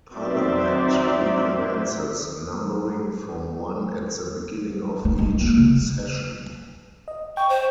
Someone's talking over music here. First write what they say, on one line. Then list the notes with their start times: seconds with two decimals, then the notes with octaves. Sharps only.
Parliament recommences numbering from one at the beginning of each session.
0.14 F#3 C4 D#4 D5 E5 C6
5.05 D#4
5.18 G#3
5.41 A#3
5.57 C#3
7.08 D#5
7.37 G5 C#6
7.49 C5